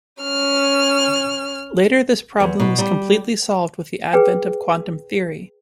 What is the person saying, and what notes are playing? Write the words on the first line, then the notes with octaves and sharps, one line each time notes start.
Later this problem was completely solved with the advent of quantum theory.
C#4 F6
E2
B2
G3
G#4 B4 G5